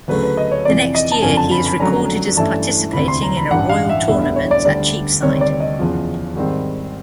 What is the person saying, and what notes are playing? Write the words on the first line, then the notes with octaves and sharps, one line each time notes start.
The next year he is recorded as participating in a royal tournament at Cheapside.
D2 C#3 F#3 A3 B4
B4
D#5
C#5
F2 C3 E3 D5
D#5
A5
F#1 F2 D3 F3 G#5
A5
B5
B5
F2 D3 F#3 A3 C#4 A#5
G2 E3 A3 C#4 E4 A5
E1 D2 C3 B5
C6
A#5
B5
A1 G2 E3 F#5
F5
E5
E1 D2 D3 G3 B3 E5
E5
C#5
D5
D2 D3 G3 D5
D2 C3 D#3 G3 C4 C#5
D5
D#5
E2 C#3 F3
G#2 D#3 G3 C4